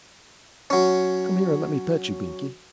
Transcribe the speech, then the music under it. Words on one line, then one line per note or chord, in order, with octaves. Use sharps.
Come here and let me pet you, Binkie.'
F#3 C#4